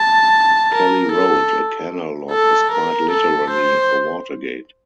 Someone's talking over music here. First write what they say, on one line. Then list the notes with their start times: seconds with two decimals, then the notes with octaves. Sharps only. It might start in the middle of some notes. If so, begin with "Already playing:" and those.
Kelly wrote, a canal lock is quite literally, a water gate.
Already playing: A5
0.72 A#4
1.12 A4
2.31 A4
2.71 A#4
3.11 A4
3.50 C5